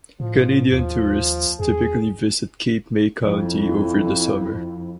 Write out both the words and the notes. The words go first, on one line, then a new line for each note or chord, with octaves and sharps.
Canadian tourists typically visit Cape May County over the summer.
A2 F3
D#2 F3
E2 G#4
F2 E4